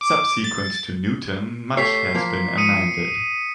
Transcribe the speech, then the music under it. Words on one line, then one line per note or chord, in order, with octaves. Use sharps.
Subsequent to Newton, much has been amended.
D6
A6
A3 G4 C#5 B6 C7
F3 A#3
D#6 C#7 D#7